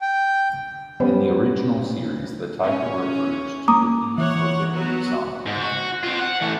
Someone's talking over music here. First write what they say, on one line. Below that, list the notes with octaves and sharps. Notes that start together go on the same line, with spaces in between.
In the original series the title refers to the "V for Victory" sign.
G5
G3 B3 C#4 C5
C#4
A#3 A#5 D6 D#6
E3 C#5 F#5
F#3 B3 F#4
G#2
F#4
C4 F4
F#5
E3 A3